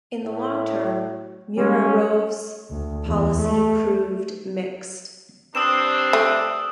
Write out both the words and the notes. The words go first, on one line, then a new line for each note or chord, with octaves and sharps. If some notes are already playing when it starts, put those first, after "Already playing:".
In the long term, Muravyov's policy proved mixed.
A2
G3 G#3 C#4
D2
E2
A3
G2 C4 D4 D#6 E6 E7
A3